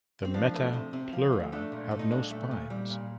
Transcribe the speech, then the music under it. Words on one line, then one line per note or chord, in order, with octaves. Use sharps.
The meta pleura have no spines.
C4
F3 D4
A3
C3
C3 C4
F3
A3
A3 D4
A#2
A3
D#4
A#2 D4
A3
A#2
G3
A#2